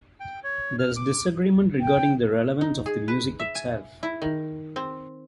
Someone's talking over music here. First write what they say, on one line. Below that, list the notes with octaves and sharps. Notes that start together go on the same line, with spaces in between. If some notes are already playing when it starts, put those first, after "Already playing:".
There is disagreement regarding the relevance of the music itself.
G5
C#5
F6
D6
G5
D#4
G#4
B4
E5
G#5
E4
D#3
C4